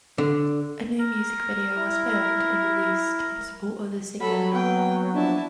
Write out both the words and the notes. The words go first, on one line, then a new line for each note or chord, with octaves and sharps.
A new music video was filmed and released in support of the single.
D3
A#4
E4
F#3 A4 F#5 B5
A#3 B3 B4 F#5 G5
F3 D4 E4 A5